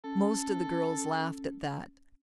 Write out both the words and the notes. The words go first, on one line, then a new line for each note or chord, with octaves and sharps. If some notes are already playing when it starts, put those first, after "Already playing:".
Most of the girls laughed at that.
C#4 A4